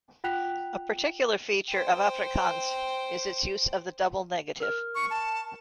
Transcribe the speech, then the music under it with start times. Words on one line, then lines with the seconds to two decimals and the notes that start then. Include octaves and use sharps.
A particular feature of Afrikaans is its use of the double negative.
0.24 F4 F#5 G5 F#6 B6 F7
1.69 C5 G5
4.60 A#4 F6
4.95 C#6
5.10 A5